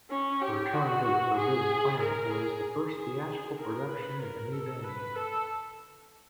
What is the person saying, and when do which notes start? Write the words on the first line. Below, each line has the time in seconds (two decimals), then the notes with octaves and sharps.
"Return to the Forbidden Planet" was the first theatrical production in the new venue.
0.10 C#4
0.42 G4
0.73 F#4
1.37 G#4
2.00 A#4
2.31 G#4
2.94 G#4
3.58 A#4
3.90 B4
4.21 A#4
4.52 A4
4.84 B4
5.16 A4